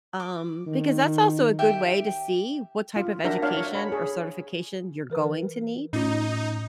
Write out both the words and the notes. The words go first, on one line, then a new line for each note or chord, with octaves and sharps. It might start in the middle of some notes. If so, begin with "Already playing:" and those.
Um, because that's also a good way to see, what type of education or certification you're going to need.
D6
D#3
G4 E5 G5
F4
D4 F#4 A#4 E5 A#5
D4 C#5 F5 F#5
C#5
C#5 B5
G#4
E3 A#4 B4
A2 C#4 D#4 F4